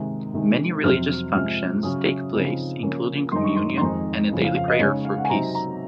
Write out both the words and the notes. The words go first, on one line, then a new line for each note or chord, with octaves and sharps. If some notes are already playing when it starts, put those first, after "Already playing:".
Many religious functions take place including communion and a daily prayer for peace.
Already playing: C3 D#3 G#3 D#4
C3 D#3 G#3
F2 C3 F#3 C4 F6
C3 F3 G#3 F6
C#3 F#3 C#4 D#6
C#3 F3 C4 D#4
C#3 F3 A#3 C#4
F#2 D#3 G#3 D#4 C6
C#6
C6
C6
F2 D#3 G#3 C4 D#4 A#5
F2 C#3 F3
F5
F5
D#5
C#3 G#3 D#4 C#5
F5
F#5
G#5
C3 F#3 C4 D#4 A#5
A#5